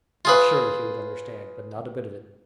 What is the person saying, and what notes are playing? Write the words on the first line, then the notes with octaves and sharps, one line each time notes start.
Now surely he would understand; but not a bit of it.
F4 G#4 B4